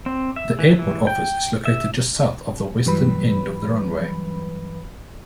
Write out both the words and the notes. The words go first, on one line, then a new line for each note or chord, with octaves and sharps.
The airport office is located just south of the western end of the runway.
C4
E5
E3
E3
G5
E5
G2 E3 F#3 G3 B4 B5